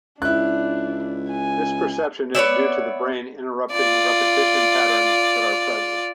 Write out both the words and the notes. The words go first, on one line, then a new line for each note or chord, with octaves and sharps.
This perception is due to the brain interpreting repetition patterns that are present.
C#2 D4 E4 F#6
G#5
B3 C#5 D5 E5
F4 D5